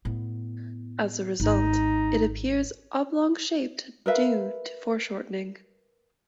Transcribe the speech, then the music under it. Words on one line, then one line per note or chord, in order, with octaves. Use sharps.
As a result, it appears oblong-shaped due to foreshortening.
A2 B3
G#1 D#4
A#4 B4 E5 F5